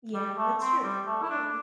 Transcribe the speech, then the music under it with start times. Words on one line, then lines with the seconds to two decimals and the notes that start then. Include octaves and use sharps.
Yeah, that's true, yeah.
0.14 G3
0.37 A3
0.60 C4
0.84 G3
1.07 A3
1.22 E4
1.29 D4